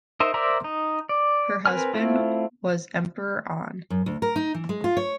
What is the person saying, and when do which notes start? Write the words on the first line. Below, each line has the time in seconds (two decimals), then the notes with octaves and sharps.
Her husband was Emperor An.
0.20 D#4 A#4 C5 E5
0.34 A#4 C5 D5 E5 A#5
0.64 D#4
1.09 D5
1.66 C4 A#4 B4 G#5 F6
1.94 A3 C4 E4 F4
3.90 F#2
4.06 D2
4.22 A#4
4.36 D#4
4.55 E3
4.69 G#3
4.84 F4
4.97 C#5